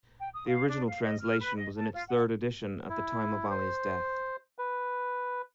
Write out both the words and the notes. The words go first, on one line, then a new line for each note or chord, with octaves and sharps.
The original translation was in its third edition at the time of Ali's death.
G5
D#6
F5
D4
F5
D#5
F6
B4
D#5
A5
F4
F#5
E4
C5
B4